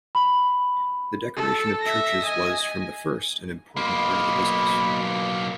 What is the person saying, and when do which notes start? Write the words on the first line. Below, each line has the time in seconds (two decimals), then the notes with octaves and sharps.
The decoration of churches was from the first an important part of the business.
0.15 B5
1.36 A4
1.81 E5 A#6
2.22 D#5 G#5
3.77 B1 A#3 D#5 B5 C6